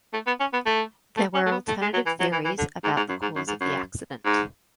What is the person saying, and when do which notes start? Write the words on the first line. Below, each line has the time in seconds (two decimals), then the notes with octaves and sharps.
There were alternative theories about the cause of the accident.
0.13 A3
0.27 B3
0.40 C#4
0.53 B3
0.66 A3
1.17 A3
1.34 C#4
1.46 A3
1.51 B3
1.68 A3
1.82 G#3
1.94 F#3
2.06 E3
2.20 F#3
2.32 E3
2.45 E3
2.58 D3
2.84 G#2
2.96 G#2
3.09 F#2
3.22 G#2
3.36 F#2
3.48 G#2
3.61 F#2
4.25 G#2